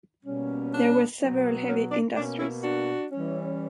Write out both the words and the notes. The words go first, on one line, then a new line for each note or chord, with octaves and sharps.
There were several heavy industries.
B2 G3 A#3 C#4
D4
B2 F#3 B3
C#4
D4
B2 A#3 C#4 D4
C#4 E4
D4 F#4
E3 G3 C#4